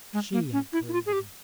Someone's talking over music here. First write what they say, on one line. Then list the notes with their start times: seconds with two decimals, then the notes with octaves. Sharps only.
She had created him.
0.13 G#3
0.33 A#3
0.53 C#4
0.73 E4
0.88 E4
0.93 F4
1.06 G#4
1.13 G4